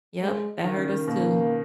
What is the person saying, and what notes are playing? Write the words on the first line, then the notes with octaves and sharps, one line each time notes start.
Yep. That hurt us too.
G#3
D#3
C#3
D#3
B2 A#3